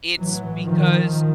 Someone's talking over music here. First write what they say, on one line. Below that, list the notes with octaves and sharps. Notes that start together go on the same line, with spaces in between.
it's because
A2 E3 F#3
D#3 F3